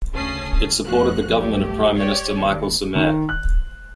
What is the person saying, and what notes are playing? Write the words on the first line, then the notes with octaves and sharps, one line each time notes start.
It supported the government of Prime Minister Michael Somare.
D2 C#3 C#4 A5 D#6 C7
F2 A#2 F3 A3 F#4 F#6
B1 G2 A3 G4
G4 C#5 D5
D#2
D#3
F#6